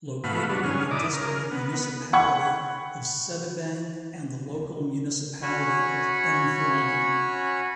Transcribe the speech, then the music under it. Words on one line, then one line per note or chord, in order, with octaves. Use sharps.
Located in the district municipality of Sedibeng and the local municipality of Emfuleni.
G#2 A3 B3 F#4 F5 B5
G#2 F#3 D4 F#4 B4
G2 C#3 F#3 C#4 G#4 F6
D#4 E4 D5 D6 D#6
C#3 A#4
B3
F#5 G5 B5 C#6 G#6
C#4 F#4 C#5 G#5 B5 C#6